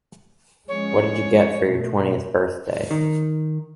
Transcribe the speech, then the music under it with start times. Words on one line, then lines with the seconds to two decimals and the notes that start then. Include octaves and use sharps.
What did you get for your twentieth birthday?
0.68 F3 G#3 C#4 C#5
1.66 B2 A3
2.91 D#3